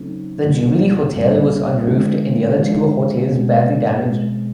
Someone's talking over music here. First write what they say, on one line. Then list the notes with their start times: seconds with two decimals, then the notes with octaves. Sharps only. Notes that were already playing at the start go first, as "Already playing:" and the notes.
The Jubilee Hotel was unroofed and the other two hotels badly damaged.
Already playing: C#3 F#3 A3 C4 D#4
0.44 C2 A#2 G3
1.15 C2 A#2 G3
1.86 D3 F3 G#3
2.57 D3 F3 G#3
3.29 B2 G#3 C4
4.00 B2 G#3 C4